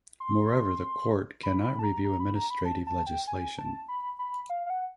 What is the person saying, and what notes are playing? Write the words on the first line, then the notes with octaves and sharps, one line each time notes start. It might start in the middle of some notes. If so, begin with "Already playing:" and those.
Moreover, the court cannot review administrative legislation.
C6
B5
B5
A5
A#5
A#5
B5
A#5
B5
A5
A5
G5
G#5
A5
B5
B5
F5
F5
F#5